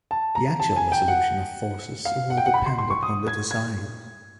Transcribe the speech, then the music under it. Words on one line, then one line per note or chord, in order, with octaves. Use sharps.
The actual resolution of forces will depend upon the design.
A5
A#5
A5
G#5
G5
F#5
F5
F#5
G5
F#5
B5
C6
C6
C#6
D#6
G#6
G#6